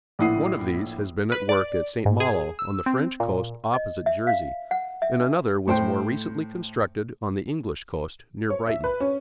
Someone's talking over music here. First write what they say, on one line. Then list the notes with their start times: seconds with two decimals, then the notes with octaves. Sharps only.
One of these has been at work at St. Malo on the French coast opposite Jersey, and another was more recently constructed on the English coast near Brighton.
0.19 A#1 A2 E4 F#5 D#6 C7
1.32 B4
1.49 D5
2.05 G#2
2.20 G#4
2.59 E6
2.86 C4
3.20 A#2
3.74 D#5
4.06 E5
4.27 F5
4.71 F#5
5.02 E5
5.20 D4
5.68 A2 C5 G5
8.50 C#5
8.67 E5
8.84 B4
9.00 C#4